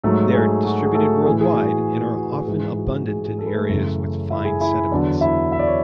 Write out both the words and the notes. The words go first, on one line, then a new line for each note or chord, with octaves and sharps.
They are distributed worldwide, and are often abundant in areas with fine sediments.
G#2 F#3 A3 A4
G#4
F#4
G#4
A3 A4
A2 E3 G#4
G#4
F#4
F#4
G#4
G#2 E3 G#4
F#4
G#4
G#4
A4
B4
A3 A4
F#2 C#3 E3
E4 E5
G#4 G#5
E4 E5
E2 D3 F#3 D4 D5
E4 E5
E5
D5
C#5